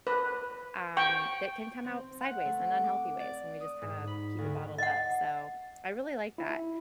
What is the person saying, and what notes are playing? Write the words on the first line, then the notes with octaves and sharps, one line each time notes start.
um, that can come out sideways and unhealthy ways when we just kinda keep it bottled up. So, I really like that.
B4
G5 C#6
C4
F#5
A3
D6
D5
D#6
G#2
B5
D2
D#5 F#5
E4